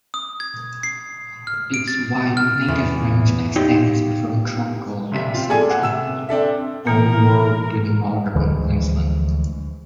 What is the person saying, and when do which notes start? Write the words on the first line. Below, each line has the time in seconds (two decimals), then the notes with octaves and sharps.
Its wide native range extends from tropical and subtropical Old World to northern Queensland.
0.14 D#6
0.40 G#6
0.83 C7
1.47 F6
1.74 D7
1.88 A6
2.37 F6
2.68 E2
3.56 D#4 F4 G4 C#5 D#5
5.12 F1 C3 B6
5.34 C4 F4
5.50 G#4 A4 D5 G#5 A5
5.70 F#5
5.82 C3 E6 E7
6.29 C4 D4 A4 E5
6.87 B2 E3 A#3 A#4
8.36 D2 E3 F3 G#3